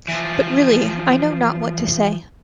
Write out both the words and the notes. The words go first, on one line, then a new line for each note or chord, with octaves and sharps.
But, really, I know not what to say.
E3 F3